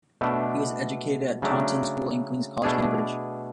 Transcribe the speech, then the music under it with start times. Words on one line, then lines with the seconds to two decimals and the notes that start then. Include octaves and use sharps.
He was educated at Taunton School, and Queens' College, Cambridge.
0.21 B2 A3 D4
1.42 C#3 F#3 A3 D4
2.63 B2 A3 D4 G#4